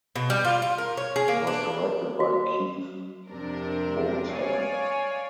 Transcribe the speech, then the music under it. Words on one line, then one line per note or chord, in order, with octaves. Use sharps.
It was directed by Keith Beauchamp.
B2
G3
F4
F4
A#4
C#5
G#4
A#3
D4
F#4
F2 C3 D4 A#4
C#5 D5 F5 G#5